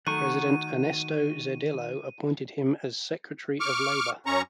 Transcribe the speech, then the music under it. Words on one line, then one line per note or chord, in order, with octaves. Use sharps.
President Ernesto Zedillo appointed him as Secretary of Labor.
D#3 F#3 A3 F#5 C#6 D#7
C#6 D6 F6
F#2 C#4 A#5 C#6